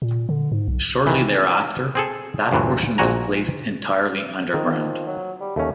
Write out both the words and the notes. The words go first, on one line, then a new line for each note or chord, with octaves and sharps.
Shortly thereafter, that portion was placed entirely underground.
A#2
D3
G#2
B1
D#3 E3
C4 G#4 A4
D2 G2 A#2 E3 F#3
A#1 A#2 F#4 G#5 A#5
D#3 F3
F#3
G3
D#2 A3 C#4